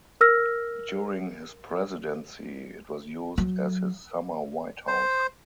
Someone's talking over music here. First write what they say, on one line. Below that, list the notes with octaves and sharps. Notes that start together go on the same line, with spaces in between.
During his presidency, it was used as his Summer White House.
A#4 E6 F6 A#6
F#3
C5